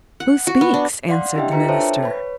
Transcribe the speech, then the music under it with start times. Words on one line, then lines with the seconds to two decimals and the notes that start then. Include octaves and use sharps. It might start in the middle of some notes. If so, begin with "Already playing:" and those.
"Who speaks?" answered the minister.
0.20 F#5
0.47 F#4
0.61 B3
0.74 D4
1.09 D5 F5 F#5 C6
1.35 D4 E4 G4 D#5 E5 G5
1.52 D4 F4 B4 A#5 C#7
1.68 A4 C5 C#5 E5 G5 A5
2.03 B4 C#5 B5